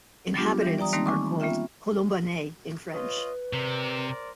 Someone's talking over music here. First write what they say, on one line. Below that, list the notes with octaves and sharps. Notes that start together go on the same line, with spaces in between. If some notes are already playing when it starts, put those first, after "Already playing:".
Inhabitants are called "colombanais" in French.
F#3 G3 B3 D4 F4 G4
E3 G3
D5 G5 A#5 D#6
D#3 G3 A3 A#3 C4 D#4
G#5 C#6 D6
A#3 B3 C#4 F4 E5 G5
F4 B4 C#5 D#5
C3 A#4 C5 D5